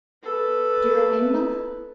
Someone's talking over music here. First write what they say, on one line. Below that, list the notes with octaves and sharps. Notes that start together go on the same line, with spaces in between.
"Do you remember?"
A4 B4